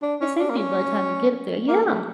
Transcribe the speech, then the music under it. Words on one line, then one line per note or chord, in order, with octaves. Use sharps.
It's empty by time you get up there. Yeah.
D4
C#4
D4
A#3
C#4
A#3
A3